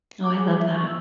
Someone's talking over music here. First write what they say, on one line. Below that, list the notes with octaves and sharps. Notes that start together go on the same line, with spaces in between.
Oh, I love that.
D6
G#4
E5
C#6
E6